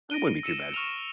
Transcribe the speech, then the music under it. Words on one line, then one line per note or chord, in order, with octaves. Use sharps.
That wouldn't be too bad.
A#6 D7 D#7 G7
E6 C#7 D#7 E7
C#6 F6 D#7 F7